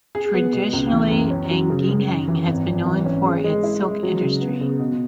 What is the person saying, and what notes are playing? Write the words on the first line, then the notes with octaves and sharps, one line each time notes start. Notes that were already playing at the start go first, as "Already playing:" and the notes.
Traditionally, An Giang has been known for its silk industry.
G#4
B3
B2
C#2
E3
F#2
C#4
F#3
C#3
C#3
F#2
E3
G#1
G#1
E3
C#4
G#4
G#3
E4
G#3
F#3
C#3
B3
C#3
B2